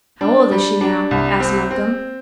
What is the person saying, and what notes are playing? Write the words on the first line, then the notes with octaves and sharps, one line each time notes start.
"How old is she now?" asked Malcolm.
D4
G3
D4
C2
C4
C4